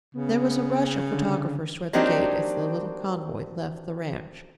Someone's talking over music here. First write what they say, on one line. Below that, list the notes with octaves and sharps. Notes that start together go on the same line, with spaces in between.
There was a rush of photographers towards the gate as the little convoy left the ranch.
C#3 B3
D3
F#3 A#3 C4 D4 D#4 G4